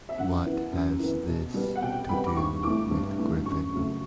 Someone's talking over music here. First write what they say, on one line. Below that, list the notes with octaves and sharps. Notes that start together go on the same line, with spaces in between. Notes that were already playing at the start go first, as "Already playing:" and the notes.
What has this to do with Griffin?
E5
F#2 F#5
E3 B3
F#2
E3 B3
B2
G3 B3
F#5
B2 G5
G3 B3 B5
D6
G2 C#6
E3 A3 D6
G2
E3 A3
F#2 C#6
C#3 F#3 A3